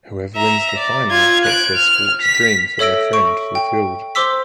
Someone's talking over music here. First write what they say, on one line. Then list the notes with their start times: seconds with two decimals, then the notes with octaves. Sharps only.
Whoever wins the final gets their sports dream for their friend fulfilled.
0.35 E5 A#5
0.77 D5
1.09 F4 G#6
1.45 F#6 D7
1.75 F6
2.21 B6
2.79 A4 C#5 E5 E6 A#6 D7
3.13 C#6 D7
3.55 G5
4.15 C5 C6 D6 E6 B6